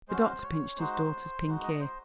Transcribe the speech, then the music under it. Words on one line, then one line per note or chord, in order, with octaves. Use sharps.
The doctor pinched his daughter's pink ear.
G#3 C#4 F#4 C5
C#5
G#3 D#4 F#4 C5
G#3 D#4 F#4
D#5
C5